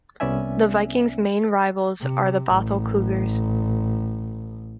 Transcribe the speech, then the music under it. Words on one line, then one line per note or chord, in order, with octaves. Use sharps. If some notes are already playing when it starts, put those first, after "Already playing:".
The Vikings' main rivals are the Bothell Cougars.
C2 B3 C#4 D5 E5 G#5
C3
A1